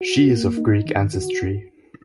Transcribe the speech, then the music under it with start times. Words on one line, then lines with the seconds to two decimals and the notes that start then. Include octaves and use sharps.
She is of Greek ancestry.
0.01 F#4
0.29 A#3
0.57 D#4
0.85 D#3
1.13 F#4